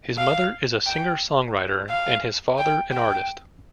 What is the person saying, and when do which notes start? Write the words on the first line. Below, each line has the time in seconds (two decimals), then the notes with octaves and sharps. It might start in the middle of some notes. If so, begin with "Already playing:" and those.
His mother is a singer-songwriter and his father an artist.
0.17 F5
0.86 G5
1.89 F5
2.58 G5
2.92 G5